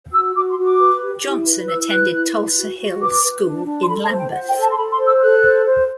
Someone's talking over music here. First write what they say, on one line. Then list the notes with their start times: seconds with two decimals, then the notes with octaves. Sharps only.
Johnson attended Tulse Hill School in Lambeth.
0.13 F#4 E6
0.35 F#4 D6
0.50 C6
0.57 F#4
0.64 D6
0.80 B4
1.01 G4
1.24 E4
1.45 B4
1.68 E4 E6
1.89 B4 F#6
2.12 E4
2.34 B4
2.56 F#4
2.78 F#4
3.00 B4 D6
3.22 B4
3.44 D4
3.66 D4
3.82 C6
3.88 A4 B5
4.03 A5
4.10 C5
4.17 G5
4.32 C5 F#5
4.48 G5
4.55 A4
4.62 A5
4.70 C6
4.77 A4 B5
4.91 C6
4.99 C5
5.06 E6
5.21 A4 F#6
5.43 C5
5.65 C5